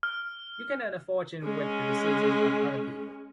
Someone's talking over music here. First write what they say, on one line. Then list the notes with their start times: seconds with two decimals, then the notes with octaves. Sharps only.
You can earn a fortune with the diseases of other people.
0.03 F6
1.43 G#3 C#4